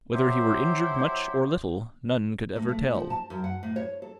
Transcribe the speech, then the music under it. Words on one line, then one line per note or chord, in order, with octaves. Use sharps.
Whether he were injured much or little, none could ever tell.
F#3 E4 G4 C5
A2
A3
A3
F3
A5
F#2
F#5
A2
C#5
A4